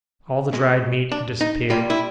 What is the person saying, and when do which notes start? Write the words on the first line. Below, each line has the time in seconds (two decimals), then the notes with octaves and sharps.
All the dried meat had disappeared.
0.53 B2 G#3
1.12 D4
1.41 D#4
1.70 A#2 G3 F4
1.90 E4